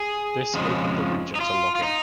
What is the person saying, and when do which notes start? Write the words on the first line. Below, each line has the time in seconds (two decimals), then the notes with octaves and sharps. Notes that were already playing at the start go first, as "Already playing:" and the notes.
This opened the region to logging.
Already playing: G#4
0.54 F2 C#3 F3 G#3
1.35 D#4
1.41 F4
1.76 F4
1.83 D#4